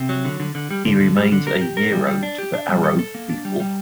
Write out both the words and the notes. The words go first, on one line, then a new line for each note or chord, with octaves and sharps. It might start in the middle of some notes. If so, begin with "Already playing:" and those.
He remains a hero to the Aro people.
Already playing: C3
F#3
D3
D3
D3
G3
D3
D3
G3
D3
A#4
G4
A#4
G3
G3
D4
G4
D4
G3
A4
A4
A#3
D4
G3
G3